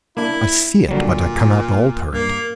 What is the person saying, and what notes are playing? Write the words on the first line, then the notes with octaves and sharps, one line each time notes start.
I see it, but I cannot alter it.
A#3 D4 E4
A#2 D3 F#3 G3
G2 A#3